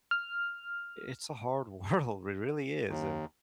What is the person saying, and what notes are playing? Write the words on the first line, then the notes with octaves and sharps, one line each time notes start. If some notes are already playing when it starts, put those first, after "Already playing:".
it's a hard world. It really is, and,
F6
D#2